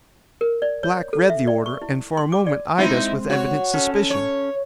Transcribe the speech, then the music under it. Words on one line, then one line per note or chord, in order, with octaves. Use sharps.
The black read the order, and for a moment eyed us with evident suspicion.
A#4
D5
C#5
A4
E5
D5
C#6
E4
C6
D6
D5
G#3 C4 D#4 E4
F#4 C#5
C#4 A4
C#5